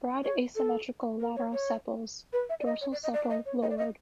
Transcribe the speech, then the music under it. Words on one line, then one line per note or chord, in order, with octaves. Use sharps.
Broad asymmetric lateral sepals, dorsal sepal lowered.
C#5
A4
A#4
C#5
C#5
B4
E5
D5
D#5
C#5
D5
D#5
D5
D#5
C#5
D#5
D5
D#5